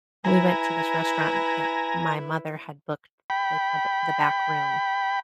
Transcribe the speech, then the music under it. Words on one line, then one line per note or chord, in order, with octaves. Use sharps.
we went to this restaurant that my mother had booked like a b the back room,
E4 B4 G#5 A#5
G5 B5